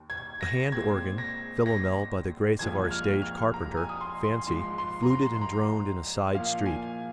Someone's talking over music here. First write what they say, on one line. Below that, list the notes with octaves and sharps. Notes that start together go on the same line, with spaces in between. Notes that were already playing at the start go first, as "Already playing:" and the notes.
A hand organ--Philomel by the grace of our stage carpenter, Fancy--fluted and droned in a side street.
Already playing: D#2 D#3
G#6
A#6
A#2 G#3 C4 G#6
A#6
A#6
C2 A#2 F3 G#3 G#6
F6
F6
A#5
G#5
D#6
C6
C6
G#2 F3 G#3 C6
C6
A#5
C6
C6
A#5
A#2 F3 A#3 F5
G#5